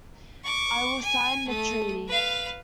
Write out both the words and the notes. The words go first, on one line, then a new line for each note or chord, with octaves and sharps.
I will sign the treaty.
C#6 D6
G#5
A3 D#6
B4 F5